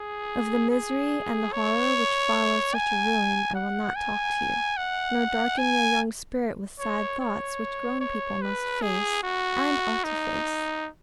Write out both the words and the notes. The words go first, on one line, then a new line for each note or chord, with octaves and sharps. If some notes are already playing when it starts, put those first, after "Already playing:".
Of the misery and the horror which follow such a ruin I will not talk to you, nor darken your young spirit with sad thoughts which grown people must face, and ought to face.
Already playing: G#4
G#4
C#5
G#5
F#5
G#5
F#5
G#5
C#5
C#5
C#5
B4
G#4
F#4
D#4